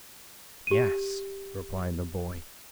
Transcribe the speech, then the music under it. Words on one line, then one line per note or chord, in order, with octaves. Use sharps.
"Yes," replied the boy.
G4 D#7